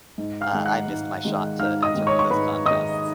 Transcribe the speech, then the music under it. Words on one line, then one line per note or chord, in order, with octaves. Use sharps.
uh, I missed my shot to enter one of those contests.
G#2
F5 F6
D#3 G#3
F#5 F#6
G#2
D#3 G#3
G#2 F5 F6
D#5 D#6
D#3 G#3
C#5 C#6
C#6
G#2 B4 B5
D#3 G#3 D#5 D#6